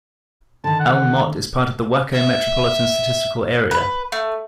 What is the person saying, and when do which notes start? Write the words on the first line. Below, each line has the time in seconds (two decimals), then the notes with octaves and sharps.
Elm Mott is part of the Waco Metropolitan Statistical Area.
0.64 D3 D#3 A5
0.79 F#5
2.12 E5
3.71 B4
4.12 A3